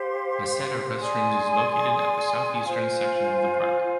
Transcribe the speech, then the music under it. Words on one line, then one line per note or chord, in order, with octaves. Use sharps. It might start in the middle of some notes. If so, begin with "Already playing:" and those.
A set of restrooms is located at the southeastern section of the park.
Already playing: G4 C5 F5 C6
G#4 D5 G#5 C6
F4 C5 F5 G#5